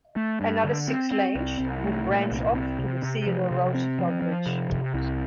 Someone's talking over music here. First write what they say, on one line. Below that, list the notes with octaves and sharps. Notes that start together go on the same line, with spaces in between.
Another six lanes would branch off to the Theodore Roosevelt Bridge.
A3
G2
D3
C4
C4
C2
C2
A3
A#2
C2
C4
C3
C3
F3
C3
C4
F3
F3
C3
C3
C2